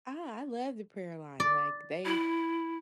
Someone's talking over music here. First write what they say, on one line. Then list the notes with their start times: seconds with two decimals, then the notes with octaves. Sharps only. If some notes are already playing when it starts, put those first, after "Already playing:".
I I love the prayer line, like, they,
1.40 D5
2.05 E4